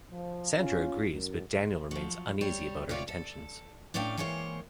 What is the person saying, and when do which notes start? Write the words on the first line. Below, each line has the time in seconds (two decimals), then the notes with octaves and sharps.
Sandra agrees, but Daniel remains uneasy about her intentions.
0.11 F3
0.56 C#4 F4
1.11 F#2
1.91 F3 F#3
2.41 G3 C#5
2.89 C3 F4 C#5 D5
3.08 A4
3.94 A2 C#4 D4 F5 G5
4.17 E3 G#3 A#3 C5 C#5